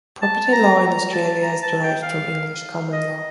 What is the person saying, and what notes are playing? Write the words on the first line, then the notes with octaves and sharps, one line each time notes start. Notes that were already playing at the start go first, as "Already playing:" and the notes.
Property law in Australia is derived from English common law.
A5
A#5
A#5
A5
A#5
A5
G5
F5
D#5